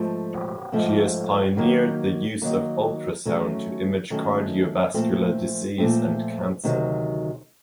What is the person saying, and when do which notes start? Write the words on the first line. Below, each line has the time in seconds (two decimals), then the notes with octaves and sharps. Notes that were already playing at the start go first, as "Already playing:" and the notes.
She has pioneered the use of ultrasound to image cardiovascular disease and cancer.
Already playing: G#2 F3 A3 C4
0.72 G#2 F3 A3 C4
1.57 D#3 F#3 A#3
2.42 D#3 F#3 A#3
3.25 D#3 F#3 A3 C#4
4.10 D#3 F#3 A3 C#4
4.94 A#2 F3 A3 C4
5.78 A#2 F3 A3 C4
6.63 D2 C3 D#3 F#3